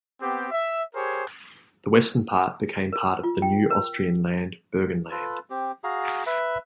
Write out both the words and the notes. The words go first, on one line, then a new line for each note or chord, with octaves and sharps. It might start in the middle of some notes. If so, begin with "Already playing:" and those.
The western part became part of the new Austrian land Burgenland.
B3 C4 G4
E5
G4 G#4 A#4 C5 C#5
A#4
F4
G5
A#4
F4 A4 B4
C4 G4
F#4 G#4 F5 A#5
B4 E5